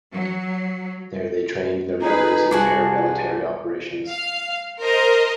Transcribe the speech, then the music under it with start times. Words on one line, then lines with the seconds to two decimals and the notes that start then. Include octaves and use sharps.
There they trained their members in paramilitary operations.
0.12 F#3
2.02 D#4 G#4 B4
2.51 C2 G2 D4 F#4 G#4
4.08 F5
4.79 A#4 C5 D#5